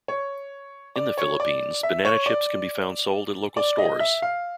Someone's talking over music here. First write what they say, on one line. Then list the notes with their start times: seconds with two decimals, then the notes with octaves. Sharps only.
In the Philippines, banana chips can be found sold at local stores.
0.08 C#5
0.96 D5
1.18 C#5
1.40 D5
1.83 E5
2.05 C#5
2.26 D5
3.57 D5
3.78 D#5
4.00 E5
4.22 F5